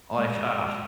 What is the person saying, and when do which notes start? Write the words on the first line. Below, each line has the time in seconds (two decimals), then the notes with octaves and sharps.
Like, ugh,
0.18 G#3